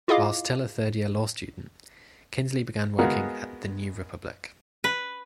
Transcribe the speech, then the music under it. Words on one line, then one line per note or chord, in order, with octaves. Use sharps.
While still a third-year law student, Kinsley began working at "The New Republic".
E4 F4 G#4 D#5 F5 D6
G#3 B3 F4 F#4 G#4 A#4
B4